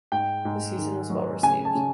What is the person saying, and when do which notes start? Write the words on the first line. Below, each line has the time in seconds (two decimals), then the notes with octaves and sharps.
The season was well received.
0.12 G#2 G5
0.45 G#2
0.78 D#3
1.10 F#3
1.43 C#3 G#5
1.65 A5
1.75 C#3